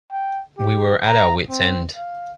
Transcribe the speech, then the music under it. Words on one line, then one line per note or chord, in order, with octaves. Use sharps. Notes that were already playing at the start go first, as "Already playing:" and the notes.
We were at our wits' end.
G5
G4
A#5
C4
F5